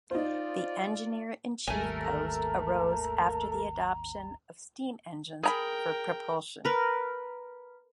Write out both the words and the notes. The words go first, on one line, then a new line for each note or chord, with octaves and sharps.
The Engineer-in-Chief post arose after the adoption of steam engines for propulsion.
D#4 F4 C5 D5
G#1 D#2 G3 A3 A4 A#4 G#5
A#5
G#4 A#4 G5 A#5 B5
A#4 B4